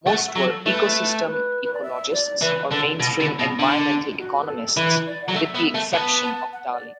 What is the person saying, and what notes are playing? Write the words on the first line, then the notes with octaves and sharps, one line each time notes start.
Most were ecosystem ecologists or mainstream environmental economists, with the exception of Daly.
A3 F#5
E5
F#3
A4
A3 B4
B4
B4
D5
E5
D5
E3 B4
D3 A4
B2 E4
D3
B2
D3
F#4
B4
A4
E3 B4
D5
F#3 F#5
A3 E5
B3
A3
B3 A5
A5
F#5
D5